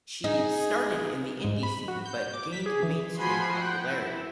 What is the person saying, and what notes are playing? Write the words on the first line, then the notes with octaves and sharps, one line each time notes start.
She started in the indie scene but gained mainstream popularity.
D#4 G#4
G#2
B5
F#4
G6
D6
B6
G#4
E3
F3 F#4 G#5 B5 C6
F#5 G5
E4